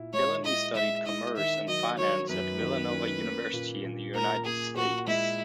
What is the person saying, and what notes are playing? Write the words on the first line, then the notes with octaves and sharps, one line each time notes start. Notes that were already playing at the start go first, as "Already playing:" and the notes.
Delany studied commerce and finance at Villanova University in the United States.
Already playing: A#2 E4
G#3 C#5
E4 D#5
G#3 E5
E4 D#5
D#3 E5
F#3 D#5
F#3 C#5
F#2 B4
D#3
C#4
A#3
A#2
A#2
A#3 A#4
A#3 G#4
A#2 F#4
G#3 E4